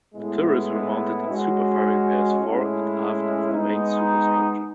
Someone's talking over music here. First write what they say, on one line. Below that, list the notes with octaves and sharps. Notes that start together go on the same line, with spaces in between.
The turrets were mounted in superfiring pairs fore and aft of the main superstructure.
A2 G#3 B3 E4
G#3 C#4 F#4
A2 G#3 C#4 E4
G#3 B3 D#4